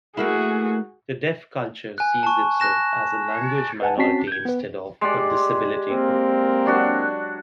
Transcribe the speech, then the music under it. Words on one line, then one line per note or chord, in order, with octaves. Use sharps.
The deaf culture sees itself as a language minority instead of a disability group.
A3 A#3 E4 F#4 G#4
G#5 F#6
A5 C#6
F#6 A#6 E7
B4 F#5 G#5 A5
C4 C#4 F#4 A5 B6 C7
G6 G#6
B3 B4
G#3 G4 D5
A#3 C4 A#4
F#3 D4 F#4